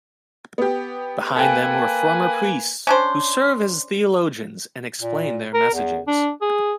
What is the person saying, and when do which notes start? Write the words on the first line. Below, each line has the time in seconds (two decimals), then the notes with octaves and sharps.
Behind them were former priests who served as theologians and explained their messages.
0.58 B3 G4
1.36 A#3 A4 B4 G5 G#5
2.87 C#4 D4 C5
5.01 A#2
5.54 A#4
5.74 E2
6.07 D4
6.41 G#4